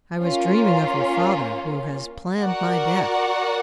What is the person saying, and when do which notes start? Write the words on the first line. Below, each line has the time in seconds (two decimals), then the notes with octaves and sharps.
'I was dreaming of your father, who has planned my death.'
0.22 A#3 C#4 F4
2.39 F#4 A#4 D5 F#5